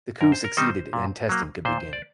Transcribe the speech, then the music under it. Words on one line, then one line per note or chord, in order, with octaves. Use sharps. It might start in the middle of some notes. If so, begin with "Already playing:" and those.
The coup succeeded and testing could begin.
F#2 A#4
C5
A#4
D#3 G3 C4 D#4 C5
A#2
F#3 A#3
A#2 C5
D5